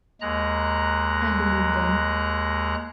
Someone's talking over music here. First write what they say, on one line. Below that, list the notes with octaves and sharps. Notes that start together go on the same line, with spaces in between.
I believe them.
D#2 G#3 A#5 F#6